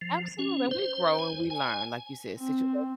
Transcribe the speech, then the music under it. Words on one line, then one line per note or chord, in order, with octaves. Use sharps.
Absolutely, and we grow and we learn, like you said, situations
F3
C#4
C5
G#5
G#5
C4